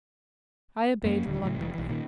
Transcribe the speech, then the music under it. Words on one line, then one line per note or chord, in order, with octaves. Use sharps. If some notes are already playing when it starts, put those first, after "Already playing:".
I obeyed reluctantly.
F#2 A#3 C#4
D#1 D3
A2 C#3 E3 F#3
F1 A2 E3
B1 E3
A#2 D#3